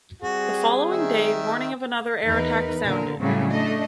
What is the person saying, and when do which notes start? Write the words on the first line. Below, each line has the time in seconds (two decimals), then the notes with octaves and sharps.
The following day, warning of another air attack sounded.
0.22 G3 C4 F#4 G#4
0.91 D#3 E5
2.25 E2 D#4 A#4 B4
2.82 A#2 D3 A#4
3.19 A2 C#3 F#3 G3 A3 C4
3.50 A3 D4 D#5